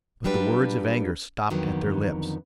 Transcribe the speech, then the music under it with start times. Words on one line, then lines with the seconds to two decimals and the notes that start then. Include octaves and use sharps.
But the words of anger stopped at their lips.
0.24 F#3 G3 D4 F4 B4
1.50 F2 D3 D#3 F#3 B3